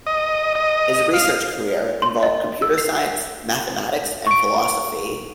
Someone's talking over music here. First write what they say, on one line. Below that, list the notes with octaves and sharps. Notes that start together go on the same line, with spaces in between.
His research career involved computer science, mathematics, and philosophy.
D#5
D#5
F5
C6
D#5
E6
C7
C#6 D7